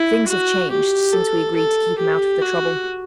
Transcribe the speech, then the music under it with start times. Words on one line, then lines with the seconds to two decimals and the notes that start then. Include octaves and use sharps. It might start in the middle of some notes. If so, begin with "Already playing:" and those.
Things have changed since we agreed to keep him out of the trouble.
Already playing: E4
0.28 F#4
0.71 G4
1.13 A4
1.56 A4
1.98 G4
2.42 F#4